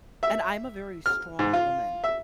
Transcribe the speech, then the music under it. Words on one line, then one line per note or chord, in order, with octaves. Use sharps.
And I'm a very strong woman
E5
F6
G#2
F4
E5